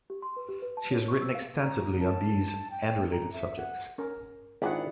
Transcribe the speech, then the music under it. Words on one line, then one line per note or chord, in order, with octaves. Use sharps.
She has written extensively on these and related subjects.
G4
C6
B4
G4
B4
A5
C#5
C#6
E6
F5
A#5
A5
G5
A#5
E5
F#5
C#4 A#4
G#1 D#3 D4 E4 F4 G4 G#4 F#5